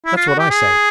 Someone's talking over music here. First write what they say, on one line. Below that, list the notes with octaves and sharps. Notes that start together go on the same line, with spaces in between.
'That's what I say.
E4
F4
F#4
G4
G#4